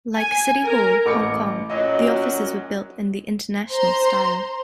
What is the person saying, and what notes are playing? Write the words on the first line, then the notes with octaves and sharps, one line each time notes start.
Like City Hall, Hong Kong, the offices were built in the International style.
G#5
A#4
A1 D6 C#7
F#2 A#2 F#3 D#5
C5 A#5 C6